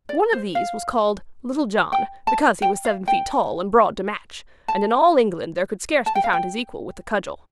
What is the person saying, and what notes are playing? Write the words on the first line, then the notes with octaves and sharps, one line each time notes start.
One of these was called "Little John," because he was seven feet tall and broad to match, and in all England there could scarce be found his equal with the cudgel.
D5
C5
F5
G5
A5
G5
F5
G5
A5
A5
G5
F5
G5